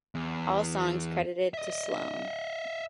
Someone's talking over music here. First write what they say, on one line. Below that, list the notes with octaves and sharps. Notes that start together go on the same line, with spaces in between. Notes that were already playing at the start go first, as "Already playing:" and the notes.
All songs credited to Sloan.
E2
D#5 E5